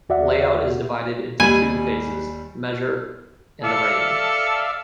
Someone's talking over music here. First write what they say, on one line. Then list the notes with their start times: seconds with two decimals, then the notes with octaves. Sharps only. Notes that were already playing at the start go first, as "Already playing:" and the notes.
Layout is divided into two phases: "Measure"; and "Arrange".
0.09 D#2 F#4 D5 E5 F#5
1.40 D#2 G3 G#5 B5
3.64 A4 D5 E5 F5 C#7